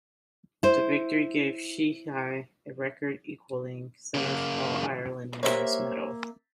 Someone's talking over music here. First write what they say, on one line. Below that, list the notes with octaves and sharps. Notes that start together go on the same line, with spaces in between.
The victory gave Sheehy a record-equalling seventh All-Ireland winners' medal.
E4 C5
C#3 A#3
A#3 G4 C5 C#5 E5